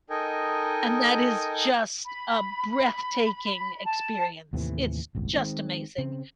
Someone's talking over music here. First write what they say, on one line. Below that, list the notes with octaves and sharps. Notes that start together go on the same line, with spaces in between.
And that is just a breathtaking experience, it's just amazing!
D#4 A4 A#4 D#5 G5 G#5
B5
A5
D#2 A2 C3 E3
D#1 G#1 C#2
D#3 G#3 C4
C#3 C4